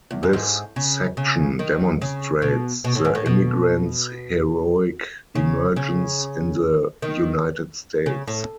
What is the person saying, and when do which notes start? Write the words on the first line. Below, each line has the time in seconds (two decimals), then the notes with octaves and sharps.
This section demonstrates the immigrants' heroic emergence in the United States.
0.11 E2
0.23 F#2
0.33 G#2
0.76 C#3
1.17 C#3
1.59 D#3
2.02 C#3
2.42 B2
2.84 B2
2.95 A2
3.05 G#2
3.15 A2
3.26 B2
5.35 C#3
5.76 C#3
7.02 D#3
8.06 C#3
8.28 A2